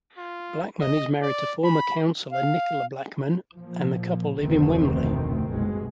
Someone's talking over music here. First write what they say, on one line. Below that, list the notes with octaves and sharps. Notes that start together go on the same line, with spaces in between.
Blackman is married to former councillor Nicola Blackman, and the couple live in Wembley.
F4
D#5
D5
B5
F5
A#2 F3
F1 D2 B2 D#3 A3 C4
F#1 C2 B2 G#3